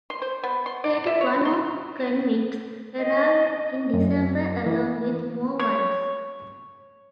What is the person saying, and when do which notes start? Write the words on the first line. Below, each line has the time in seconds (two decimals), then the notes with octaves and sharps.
Thirty-one more convicts arrived in December, along with more wives.
0.10 C6
0.22 C5
0.43 B3
0.66 C6
0.84 D5
1.07 E5
1.21 C#5
1.45 C6
3.00 D#5
3.94 F#2
4.66 E3
5.59 C#5